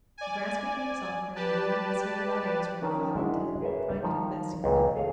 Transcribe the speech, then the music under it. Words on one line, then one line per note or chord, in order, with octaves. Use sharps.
The grass became softer, and Levin, listening without answering, followed Tit, trying to do the best he could.
D5 G#5
G4 B4 D5 A5
D#3 C#4 A#4 G#5 A5
G#3 D4 E4 F#4 E5
G#4 A#4 B4 C#5 E5
D#3 F3
C#2 A#2
G#4 A4 C#5 F5